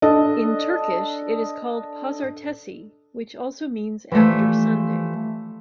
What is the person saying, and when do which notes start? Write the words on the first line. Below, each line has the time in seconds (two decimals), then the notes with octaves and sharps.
In Turkish it is called "pazartesi", which also means "after Sunday".
0.02 D4 A4 D#5
4.12 E3 F3 G3 A3